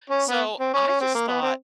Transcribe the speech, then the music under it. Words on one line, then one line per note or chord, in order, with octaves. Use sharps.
so I just thought
C#4
B3
C4
C#4
C#4
C4
A#3
B3
C4